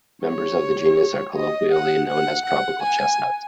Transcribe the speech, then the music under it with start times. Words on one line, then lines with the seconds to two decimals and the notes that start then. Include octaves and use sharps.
Members of the genus are colloquially known as tropical chestnuts.
0.25 C#5
1.36 D#5
1.72 F#5
2.09 F#5
2.46 F#5
2.83 G#5